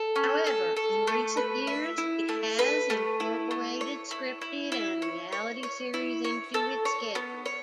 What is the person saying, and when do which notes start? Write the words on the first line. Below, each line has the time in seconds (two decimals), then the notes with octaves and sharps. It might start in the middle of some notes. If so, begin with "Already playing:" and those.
However, in recent years, it has incorporated scripted and reality series into its schedule.
Already playing: A4
0.16 C#4
0.47 A4
0.77 A4
1.07 A3
1.37 B4
1.67 E5
1.98 E4
2.29 A3
2.59 B4
2.90 A3
3.20 E4
3.51 A3
3.81 C#5
4.11 E4
4.41 E4
4.72 E4
5.02 C#5
5.32 C#5
5.63 C#5
5.94 E4
6.25 C#5
6.54 A4
6.85 C#5
7.15 B3
7.46 C#5